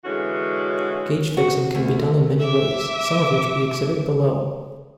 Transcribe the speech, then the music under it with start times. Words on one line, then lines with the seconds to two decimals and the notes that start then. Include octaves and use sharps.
Gauge fixing can be done in many ways, some of which we exhibit below.
0.05 D3 E3 G#3 C#4 F#4
1.37 F#4
1.75 D2
2.40 E5 D6